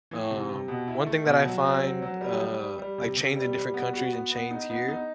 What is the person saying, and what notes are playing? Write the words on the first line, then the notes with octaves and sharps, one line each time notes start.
Um, one thing that I find, uh like, chains in different countries and chains here
E3
C3
C3
B2
E4
A3
B2
F#3
C4
F#3
F#3
G3
G3
G3
G3
C3
C3
G3
G3
B3
F#4
B3
B3
D#4
B3
D#4